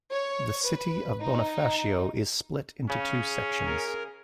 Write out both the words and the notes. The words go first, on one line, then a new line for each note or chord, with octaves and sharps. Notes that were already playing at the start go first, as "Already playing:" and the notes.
The city of Bonifacio is split into two sections.
C#5
B4
D#4
C#3 C#4 G#4
A#4